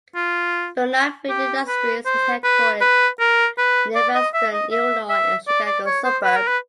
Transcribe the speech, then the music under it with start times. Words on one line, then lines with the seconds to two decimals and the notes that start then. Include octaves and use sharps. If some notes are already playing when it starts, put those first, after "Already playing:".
Bernard Food Industries is headquartered in Evanston, Illinois, a Chicago suburb.
0.16 F4
1.29 G4
1.67 B4
2.06 C5
2.44 B4
2.81 B4
3.20 A#4
3.58 B4
3.95 D5
4.15 D#5
4.34 E5
4.53 D#5
4.72 E5
5.09 E5
5.48 D5
5.66 D5
5.86 C#5
6.04 C5
6.24 B4
6.36 A#4
6.48 B4